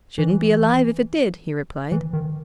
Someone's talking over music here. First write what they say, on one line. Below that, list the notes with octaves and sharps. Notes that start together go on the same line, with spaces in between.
"Shouldn't be alive if it did," he replied.
E3
E3
D#3